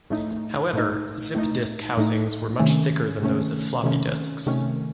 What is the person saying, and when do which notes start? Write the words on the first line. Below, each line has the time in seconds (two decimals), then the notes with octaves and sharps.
However, Zip disk housings were much thicker than those of floppy disks.
0.10 A2 A3 D#4
0.73 A2 A3 D#4
1.35 A2 A3 D#4
1.97 A2 A3 D#4
2.59 C3 D#3 A3 C#4
3.22 C3 D#3 A3 C#4
3.83 C3 D#3 A3 C#4
4.46 C3 D#3 A3 C#4